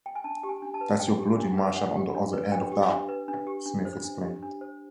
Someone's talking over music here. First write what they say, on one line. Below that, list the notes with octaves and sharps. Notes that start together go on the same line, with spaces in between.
"That's your bloody marshal on the other end of that," Smith explained.
G5
G#5
D4 A5
G4
G#5
D4
A5
B4
D4 G5
G4
D4
B4
D4 F#5
G4
D4
B4
D4 G5
G4
D4
B4
D4
G4
D4
C5
D4
G4
D4
C5